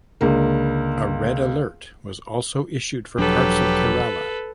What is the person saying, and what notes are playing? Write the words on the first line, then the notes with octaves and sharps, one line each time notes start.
A red alert was also issued for parts of Kerala.
C#2 D3 A#3
E1 F3 F#3 D4 G4 A4 B4